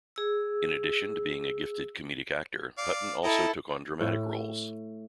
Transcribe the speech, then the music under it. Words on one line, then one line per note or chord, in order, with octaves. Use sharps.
In addition to being a gifted comedic actor, Hutton also took on dramatic roles.
G#4 E6
D5 F5
E4 A4 D#5 G5 A#5
A2